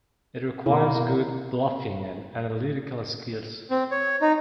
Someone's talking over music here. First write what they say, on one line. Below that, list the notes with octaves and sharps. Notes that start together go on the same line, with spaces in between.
It requires good bluffing and analytical skills.
B2 A#3 E4
C4
C#5
D#4